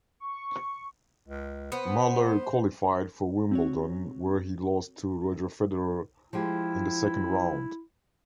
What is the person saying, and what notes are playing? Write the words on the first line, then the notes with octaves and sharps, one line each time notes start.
Muller qualified for Wimbledon where he lost to Roger Federer in the second round.
C#6
C#2
B3 C5
C4 F#4 C#5
F3 G#3 E4 G4